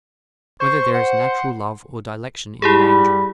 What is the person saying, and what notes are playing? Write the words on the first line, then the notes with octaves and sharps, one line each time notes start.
Whether There Is Natural Love or Dilection in an Angel?
C5 C#6
F#5
G3 E4 G4 G#4 B5